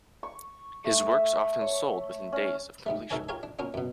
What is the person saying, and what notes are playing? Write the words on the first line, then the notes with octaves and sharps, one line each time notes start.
His works often sold within days of completion.
C#6
A3
E5
C#5
C#4
G#2 G3 A3
C2 G#2 A4 A#4 C#5 G#5
F4 G4 A#4 C#5 G#5
D4
A#3 C#4 D4 F4
F#2 B2